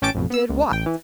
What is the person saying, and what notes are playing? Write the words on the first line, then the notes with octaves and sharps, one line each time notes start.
"Did what?"
A1 C#4 G5 A5 D6 D7
A1 F2 B2
B3 E6
C#2
A1 G5
E3